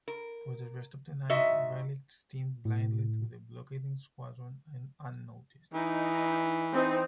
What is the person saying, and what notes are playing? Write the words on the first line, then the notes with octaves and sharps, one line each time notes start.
For the rest of the night, "Raleigh" steamed blindly through the blockading squadron, unnoticed.
A#4
G#2 F#4 D#5 E5
A2
E3 D#4
C4 D#4